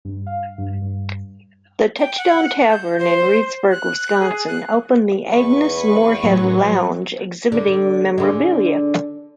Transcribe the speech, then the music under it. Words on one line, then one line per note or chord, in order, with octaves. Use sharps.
The Touchdown Tavern in Reedsburg, Wisconsin, opened the Agnes Moorehead Lounge, exhibiting memorabilia.
G2
F5
G2
G2
G5
F#5
G6
C5
F#6
G#4
F#6
E2 C#4 B4 C#6
A2 F#3
D3
D3 G#3